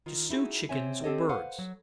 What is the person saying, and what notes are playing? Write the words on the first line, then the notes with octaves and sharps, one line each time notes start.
To Stew Chickens or Birds.
D#3 F4
D#4 E4 F#4 G#4
C3 C4 C#5 E5 G#5
C4 G4 A4 C#5 D#5
B4 C5 F5 F#5
F#3